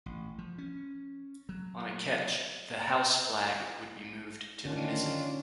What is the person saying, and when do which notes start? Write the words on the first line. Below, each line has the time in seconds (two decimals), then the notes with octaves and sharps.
On a ketch, the house flag would be moved to the mizzen.
0.06 A1
0.39 F3
0.58 C#4
1.49 F#3
4.65 D3 D#3 A#3 C#4 D4 F4